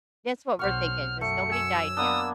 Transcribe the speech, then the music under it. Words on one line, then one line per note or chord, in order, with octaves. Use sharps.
That's what we're thinking 'cause nobody died yet.
B1 C5 F#5 C#6 F6
F#2 A3 C#7
G#5 E6
A#3 B3 D4 D#6